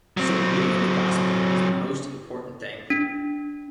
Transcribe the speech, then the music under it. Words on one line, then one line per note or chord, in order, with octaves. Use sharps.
So believing the gospel is the most important thing.
F#3 C4
D4